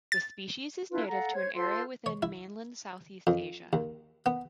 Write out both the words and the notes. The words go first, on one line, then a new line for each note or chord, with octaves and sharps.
The species is native to an area within Mainland Southeast Asia.
A6
D4 E4 F4 B4
A4 F5 F#5 A#5
C5 C#5 G#6
F4 A4 C5 C6
C#5
E4
F2
D#2
B3